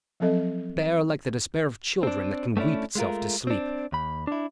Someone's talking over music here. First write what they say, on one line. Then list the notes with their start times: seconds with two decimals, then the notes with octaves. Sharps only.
Despair like the despair of children that can weep itself to sleep....
0.20 F3 F#3 C4 A4 D#5
2.03 C4 D4
2.57 A3 B3 C#4 D4 E4
2.95 G#3 A3 F4 A#4
3.47 C4 D4
3.92 D#2 B5
4.27 D4 E4